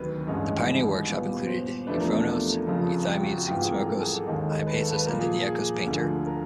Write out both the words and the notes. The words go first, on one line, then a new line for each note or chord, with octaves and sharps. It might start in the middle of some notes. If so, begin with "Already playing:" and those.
The pioneer workshop included Euphronios, Euthymides, Smikros, Hypsias, and the 'Dikaios Painter'.
Already playing: D2 C3 D#3 F#3 B4
A1 G2 D#3 G#3 C#4
A#2 G3 B3
B4
C5
E2 C3 F3 A3 D4 B4
A#4
A4
F1 F2 C#3 F3
G4
F#4
F#4
G#2 E3 G3 C4 F4 G4
G#4
A#4
A4
G#4
A4
D#2 D#3 G#3
B4
A4
B4
A#2 F3 A#3 A#4
G#4
G#4
G#4
D2 D3 F3
A4
A#4